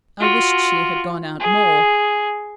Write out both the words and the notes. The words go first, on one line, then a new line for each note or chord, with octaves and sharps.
I wished she had gone out more.
F4 F#4
G#4